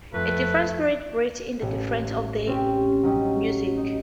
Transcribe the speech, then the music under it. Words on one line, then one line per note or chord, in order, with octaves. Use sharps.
A different spirit breathes in the difference of the music.
F2 A3 B4
A1
C4 C#4 G4
F#3 G3 C#4 D#4
D#4